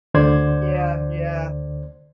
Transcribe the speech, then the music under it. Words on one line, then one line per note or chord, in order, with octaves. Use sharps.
Yeah, yeah.
D2 D3 C5 D5 G#6